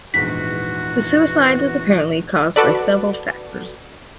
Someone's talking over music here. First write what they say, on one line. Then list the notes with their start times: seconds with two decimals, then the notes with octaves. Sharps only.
The suicide was apparently caused by several factors.
0.14 A#1 E2 G#2 E3 F#4 B6
2.56 F#4 A4 B4 D5